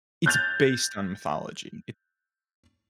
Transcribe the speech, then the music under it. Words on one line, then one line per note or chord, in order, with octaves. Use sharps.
It's based on mythology, it's
F#6 G6 A6 F7